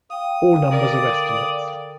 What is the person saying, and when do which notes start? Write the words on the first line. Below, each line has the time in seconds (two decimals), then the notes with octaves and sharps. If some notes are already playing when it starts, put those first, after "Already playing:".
All numbers are estimates.
0.10 F5 G5 D#6
0.71 D3 A#4 D5